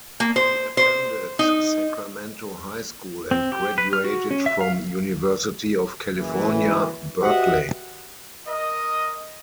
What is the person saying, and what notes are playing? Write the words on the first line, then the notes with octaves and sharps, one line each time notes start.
He attended Sacramento High School and graduated from University of California, Berkeley.
A#3
C5
C5
D#4
C4
G4
B4
F6
F#4
C#4
E5
F5
F#1 E3
F#4 G4 B4 D#5 E5 F#5
A#4 D#5